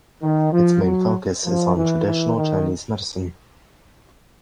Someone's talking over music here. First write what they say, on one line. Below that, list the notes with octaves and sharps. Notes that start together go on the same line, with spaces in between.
Its main focus is on traditional Chinese medicine.
D#3
F3
F#3
F3
E3
E3
D#3